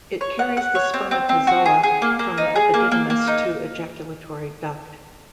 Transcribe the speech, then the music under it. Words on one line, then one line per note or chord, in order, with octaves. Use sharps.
It carries the spermatozoa from the epididymis to ejaculatory duct.
C#5
F#5
F#5
C#5
C4
C4
C4
F#4
G#4
G#4
A#3
A#3
D#4
G#4
A#3
A#3
A#3
D#4